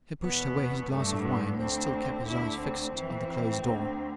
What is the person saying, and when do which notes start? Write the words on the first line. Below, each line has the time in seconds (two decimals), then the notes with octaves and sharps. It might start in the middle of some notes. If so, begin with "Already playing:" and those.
He pushed away his glass of wine, and still kept his eyes fixed on the closed door.
0.22 E2 B2 B3
0.90 G2 D3 A3
1.24 B3
1.58 D2 D3 C4
2.26 D2 D3 E4
2.60 C4
2.93 F2 E3
3.61 D2 D3